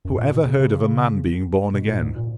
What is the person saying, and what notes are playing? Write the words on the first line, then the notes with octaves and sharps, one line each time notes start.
Who ever heard of a man being born again?
F#2
A#2
B2
C#3
C#3
B2
A#2
G#2
A#2